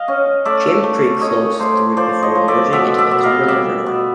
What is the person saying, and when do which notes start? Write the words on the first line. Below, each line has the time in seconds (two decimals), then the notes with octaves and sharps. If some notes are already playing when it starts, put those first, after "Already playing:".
Jim Creek flows through it before merging into the Cumberland River.
Already playing: D#5 F5
0.08 C#4
0.45 A3 D5 E5
0.83 A3
1.21 C#4 C#5 D#5
1.59 A3 C5 D5
1.97 F3 C5 D5
2.23 C#5 D#5
2.35 F3
2.48 D5 E5
2.73 B2 D5 E5
2.98 D5 E5
3.11 B2
3.23 D#5 F5
3.48 G3 D5 E5
3.86 B2